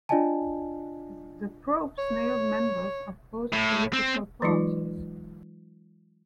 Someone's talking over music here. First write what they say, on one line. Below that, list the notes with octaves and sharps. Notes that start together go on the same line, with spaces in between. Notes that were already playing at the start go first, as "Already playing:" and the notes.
The probe snared members of both political parties.
D4 F4 D5 D#5 G#5 A5
C#5
A2
C4
E3 F#3 G#3 D#4 F4